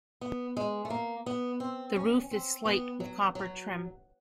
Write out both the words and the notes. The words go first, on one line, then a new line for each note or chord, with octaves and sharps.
The roof is slate with copper trim.
B3
G#3
A3
A#3
B3
C4
C#4
C4
B3
F#3
F#3